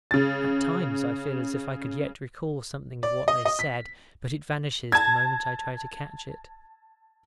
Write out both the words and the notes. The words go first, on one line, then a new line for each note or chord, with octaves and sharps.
At times I feel as if I could yet recall something of what they said, but it vanishes the moment I try to catch it.
C#3 A6
D5
D#5
D#5
B6
A5 G#6